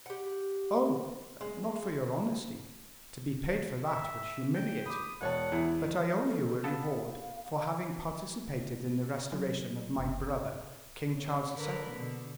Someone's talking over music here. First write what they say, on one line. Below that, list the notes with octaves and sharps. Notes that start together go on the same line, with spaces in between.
"Oh, not for your honesty, to be paid for that would humiliate you; but I owe you a reward for having participated in the restoration of my brother, King Charles II."
G4 F#5
G#3
E5
G5
B5 D6 D#6
E1 C#5 F#5 A5
E2 E4
A4
B3 A4 F5 A5
F#3
F#1
C#3
D3 A#4 B4
B2 D3